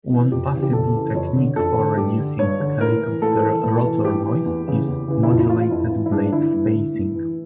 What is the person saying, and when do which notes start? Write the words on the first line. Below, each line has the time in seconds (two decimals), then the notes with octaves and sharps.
One possible technique for reducing helicopter rotor noise is "modulated blade spacing".
0.11 E3
0.32 F2 G4
0.53 C#3 E3
0.63 G4
0.73 F2 A4
0.94 C#3 E3
1.15 F2 C#5
1.36 D3
1.56 F2 A4
1.77 D3
1.97 G2 G4
2.18 D3
2.39 G2 C#5
2.60 D3
2.80 A2 A#4
3.01 E3
3.21 A2 A4
3.42 E3
3.63 A2
3.84 E3
4.05 A2 G4
4.26 E3
4.46 E2
4.67 C#3 E3
4.88 E2
5.08 C#3 E3
5.23 E4
5.29 F2 F4
5.39 E4
5.49 E3 F4
5.60 F4
5.71 F2 E4
5.91 E3
6.06 E4
6.12 G2 D4
6.32 D3 E4
6.53 G2
6.74 D3
6.94 A2
7.15 E3